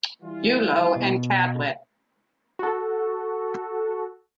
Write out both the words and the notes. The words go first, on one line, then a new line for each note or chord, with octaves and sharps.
Bulo and Cadlit.
E3 G3 F4
B2
F#4 A4